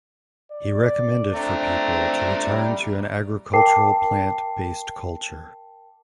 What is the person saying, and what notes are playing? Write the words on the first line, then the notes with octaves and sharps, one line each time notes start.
He recommended for people to return to an agricultural plant based culture.
D5
A3 C4 D4 A#5
G3
A#4 G5 A5 D6 C7